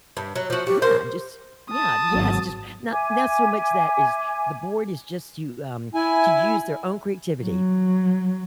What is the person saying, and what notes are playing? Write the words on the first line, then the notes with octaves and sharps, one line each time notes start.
Yeah, just yeah, yes, just not not so much that is the board is just to, um, to use their own creativity,
G2
F#3
F3 F#4
F#4 G4
A#4 C5
A5 D#6
G#1 F#3
E5 G#5 D6 G#6
E4 G#5
F#3